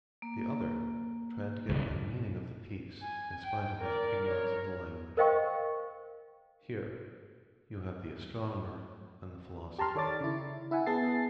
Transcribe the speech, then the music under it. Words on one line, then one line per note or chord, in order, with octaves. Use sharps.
The other tried to get at the meaning of the piece in spite of his ignorance of the language. Here you have the Astronomer and the Philosopher.
A#3
D#1 C#2
G#5
G5
A#4 D5
C#5
A#4 C5 D#5 F5 G5 C#6
G4 A5 A#5 C6 F6
D#3 A4 C#5 D5 D6 A6
C#3 E4
E4 E5 F#5 G#5
B3 G#4 A5 A6 C7